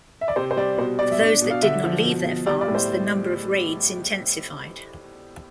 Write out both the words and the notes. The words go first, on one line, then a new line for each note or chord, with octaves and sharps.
For those that did not leave their farms, the number of raids intensified.
E5
D5
C3 C5
C5
G3 D5
B2 C5
B2 D5
E5
D4 D5
B2
F5
D3 E5
F3
B2
B2
G3 D5
D5
A2
C5